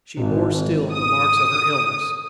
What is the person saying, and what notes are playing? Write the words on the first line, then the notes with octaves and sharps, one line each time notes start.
She bore still the marks of her illness.
G#1
D#6